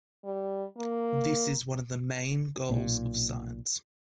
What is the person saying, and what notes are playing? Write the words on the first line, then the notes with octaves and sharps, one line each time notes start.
This is one of the main goals of science.
G3
A#3
B1 A#2